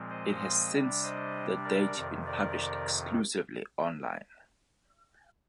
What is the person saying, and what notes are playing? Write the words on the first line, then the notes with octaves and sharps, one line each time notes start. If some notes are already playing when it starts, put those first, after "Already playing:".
It has since that date been published exclusively online.
Already playing: A#2 F3 G#3 C4
C5 D#5
C3 G3 D4
C5 D#5
A#4 D5
F2 C3 D#3
A#4 D5